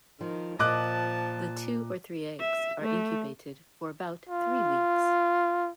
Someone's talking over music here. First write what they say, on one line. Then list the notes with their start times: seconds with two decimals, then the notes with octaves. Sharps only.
The two or three eggs are incubated for about three weeks.
0.21 D#3 F3
0.59 A#2 F3 D#5 A5 D6 F#6
2.40 E5
2.82 A3
4.29 F4